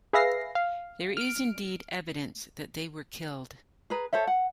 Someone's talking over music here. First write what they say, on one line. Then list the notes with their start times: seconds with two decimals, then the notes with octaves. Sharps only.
There is indeed evidence that they were killed.
0.13 G#4 B4 E5 F5 A#6 C7
0.55 F5
1.17 F6 D7
3.90 G#4 B4 A#5
4.13 A4 C5 C#5 E5
4.27 F#5